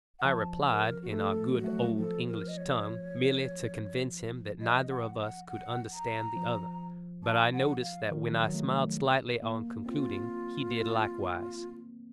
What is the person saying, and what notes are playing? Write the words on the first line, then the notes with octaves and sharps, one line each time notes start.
I replied in our good old English tongue merely to convince him that neither of us could understand the other; but I noticed that when I smiled slightly on concluding, he did likewise.
F#5
F3 A5
A#4
F#4
A3 A4
F#3 F#4
A3
F#3
F3 A4
A#4
D#5
C#5
F3 D#5
F#5
F#5
F#5
A#5
F3
A5
F#5
F5
D#3
F#3
F#3
A3
A#3
C4 F4